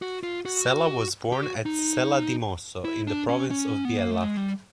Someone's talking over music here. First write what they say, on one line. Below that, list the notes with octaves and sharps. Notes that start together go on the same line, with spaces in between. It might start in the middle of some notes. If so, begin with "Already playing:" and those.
Sella was born at Sella di Mosso, in the Province of Biella.
F#4
F4
F#4
G4
F#4
D#4
E4
D4
C#4
C#4
B3
A#3
A3
G#3
G3